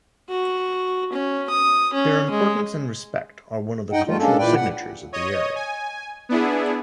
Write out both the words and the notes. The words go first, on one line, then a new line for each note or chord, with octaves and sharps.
Their importance and respect are one of the cultural signatures of the area.
F#4
C#4
D#6
C#4
G#3
G2 D#4 D#5 F#5 G5
G3 A3 F4
G#3 A#3 C#4 D4 A4
A#2 E3 B4 D5 G5
F#5
C#5 D#5 D#6
G#5
B3 D4 E4 G#4